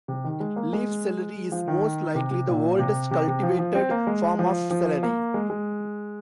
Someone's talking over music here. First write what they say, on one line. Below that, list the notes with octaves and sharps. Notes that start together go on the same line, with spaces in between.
Leaf celery is most likely the oldest cultivated form of celery.
C3
D#3
G#3
A#3
G#3
F3
D#3
C3
C3
A#2
C3
C3
C3
F3
F3
C4
A#3
G#3
F3
F3
A#3
G#3
G#3